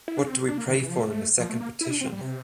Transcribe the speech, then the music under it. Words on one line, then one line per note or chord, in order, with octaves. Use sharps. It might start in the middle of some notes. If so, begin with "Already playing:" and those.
What do we pray for in the second petition?
E4
D4
C4
D4
A#3
D3
E3
F3
A3
F3
A3
A#3
E4
D4
C4
G3
C3